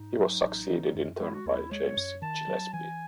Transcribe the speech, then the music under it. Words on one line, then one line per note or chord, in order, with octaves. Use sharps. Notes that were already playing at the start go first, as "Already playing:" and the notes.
He was succeeded in turn by James Gillespie.
Already playing: G#2 D#4
F#3
A1
E3
F#2
G#3 E4
F#4
D#2 E4
G#3 C#5
F#2
D#3 A5
F#3
E3 G#5